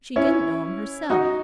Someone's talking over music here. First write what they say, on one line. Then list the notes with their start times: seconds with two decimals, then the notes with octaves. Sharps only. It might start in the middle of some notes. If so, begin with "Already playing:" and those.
She didn't know 'em herself.
0.16 C#4 E4
1.10 D#4 F#4